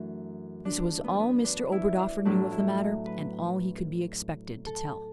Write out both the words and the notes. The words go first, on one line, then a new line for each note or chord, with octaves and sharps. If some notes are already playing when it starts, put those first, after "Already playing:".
This was all Mr Oberdoffer knew of the matter; and all he could be expected to tell.
Already playing: F#2 E3 A3 D4
D4
B3
B3
D4
E4
D4
A2 F#3 A3 D4
E4
B4
A4